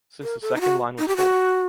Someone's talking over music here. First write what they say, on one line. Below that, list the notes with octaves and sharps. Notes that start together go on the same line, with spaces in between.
Since the second line was full.
A#4
A4
D#4
F#4
D#4
G4
F#4